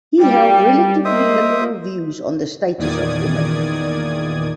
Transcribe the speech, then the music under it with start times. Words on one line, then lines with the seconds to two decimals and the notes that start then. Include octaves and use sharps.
He held relatively liberal views on the status of women.
0.20 G3 G5
1.05 A#3 C5 D#5 E5 D#6
2.78 E2 A#2 D#3 D5 D#6 G#6